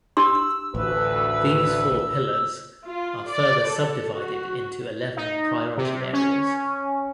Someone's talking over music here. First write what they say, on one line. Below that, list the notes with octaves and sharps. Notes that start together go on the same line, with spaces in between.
These four pillars are further subdivided into eleven priority areas.
D4 G4 C6 E6
A1 D2 B4
F4
D5
A4
F#4
D#4
C3
C#4